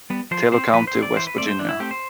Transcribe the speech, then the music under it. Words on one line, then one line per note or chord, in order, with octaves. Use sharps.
Taylor County, West Virginia.
G3 B3
F3 C5
C4 C5
F3 B4
C5
C4
D5
E3 C5
B4
A3 C4 D5
C5
E3 D4
E4
A3 C4 G4
C5